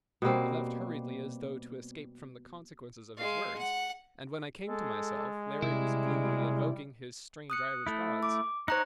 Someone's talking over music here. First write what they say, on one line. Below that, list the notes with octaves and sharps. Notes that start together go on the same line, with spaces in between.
He left hurriedly, as though to escape from the consequences of his words, and when I came to myself Larry was gloomily invoking his strange Irish gods.
B2 G3 A#3 C4
G#3 F5
F#5
G#3 A4
C3 G3 E4
D#6 F#6 C#7
A3 E4
D6
D#4 C5 C#5 A#5 F#6